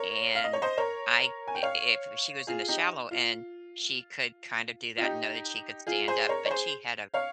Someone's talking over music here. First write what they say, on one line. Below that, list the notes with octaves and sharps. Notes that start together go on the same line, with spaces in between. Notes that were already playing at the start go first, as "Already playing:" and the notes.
And I i if she was in the shallow end, she could kind of do that and know that she could stand up, but she had a
Already playing: A#4 C#5
F5
D#5
C#5
C5 D#5
A#4 C#5
G#5
G5
C#5 F5
F4 G#4
D#4 G4
F4
F4
D#4 G4
F4 G#4
G#4 C5
A#4 C#5
C#5
G#4 C5
C#5 F5